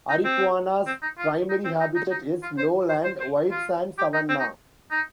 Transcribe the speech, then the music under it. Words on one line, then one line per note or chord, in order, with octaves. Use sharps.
"Aripuana"'s primary habitat is lowland, white-sand savanna.
D#4
C4
C4
D#4
F4
D#4
C4
D#4
D#4
D#4
F4
C5
C5
C5
C5
F4
G4
D#4
C4
D#4
D#4